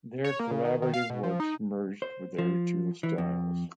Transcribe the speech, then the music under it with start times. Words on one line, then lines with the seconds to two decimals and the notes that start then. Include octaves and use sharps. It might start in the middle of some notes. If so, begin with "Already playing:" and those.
Their collaborative works merged their two styles.
0.24 C#5
0.40 A#3
0.51 C#3
0.65 D#3
0.82 D#3
0.94 F5
1.10 B2
1.23 F3
1.40 D#4
2.02 C5
2.38 F3
3.03 E3
3.18 F2